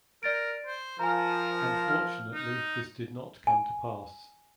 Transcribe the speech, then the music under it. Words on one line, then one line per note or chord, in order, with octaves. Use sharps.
Unfortunately this did not come to pass.
A#4 D5 A6 D7
C5
F3 A#4 G#5 A#5
F6
D#4
G#5